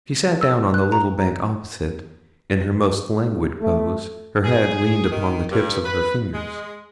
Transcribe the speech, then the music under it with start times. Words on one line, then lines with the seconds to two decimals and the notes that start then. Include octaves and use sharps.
She sat down on the little bank opposite, in her most languid pose--her head leaned upon the tips of her fingers.
0.23 A6
0.41 E6
0.74 F#6
0.92 A#5
3.22 B1
3.61 A3
4.45 G#4
5.11 D#3
5.51 G2
5.84 B4
6.33 G#3